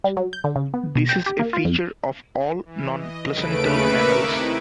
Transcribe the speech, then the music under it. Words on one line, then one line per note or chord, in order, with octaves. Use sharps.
This is a feature of all non-placental mammals.
G3
F#3
G6
D3
C#3
B3
B2
G5
G4
A#3
F4
F2
E3
D#5
D#2 C#3 A3 B4 D7
A#4 B4 E5 C#6 D6 E6
C3 D#4 E4